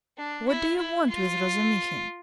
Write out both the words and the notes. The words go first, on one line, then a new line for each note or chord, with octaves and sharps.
What do you want with Razumihin?
D4
E4
E4
F4